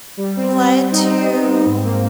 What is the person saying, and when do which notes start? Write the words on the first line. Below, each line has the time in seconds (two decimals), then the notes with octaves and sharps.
led to
0.17 G3
0.36 C4
0.55 G3
0.73 G3
0.92 D#4
1.09 C4
1.28 C4
1.46 C4
1.66 G#2
1.83 A#3